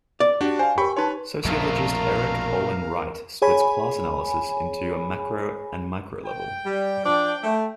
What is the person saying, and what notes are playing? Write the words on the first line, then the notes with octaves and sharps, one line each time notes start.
Sociologist Erik Olin Wright splits class analysis into a macro and micro level.
D5
D4 F#4 G4
C5 F5 G#5
G4 A#4 G5 B5 C#6
D#4 B4 C#5 A5 C6
A#1 F2 B2 A3 A#4 F5 A#5
G#4 C#5 G#5 B5
G5
G3
F3 D4 D5
A3